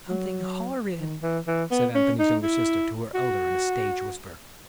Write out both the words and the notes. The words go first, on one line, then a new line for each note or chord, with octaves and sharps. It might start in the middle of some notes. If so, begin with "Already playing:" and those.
"Something horrid," said Anthony's younger sister to her elder in a stage whisper.
F#3
D#3
E3
E3
B3
C#4
D#4
E4
F#4